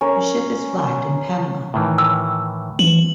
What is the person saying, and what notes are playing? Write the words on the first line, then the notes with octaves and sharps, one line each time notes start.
The ship is flagged in Panama.
C#4 A#4
A2 D#3 E3
E6
E3 F#7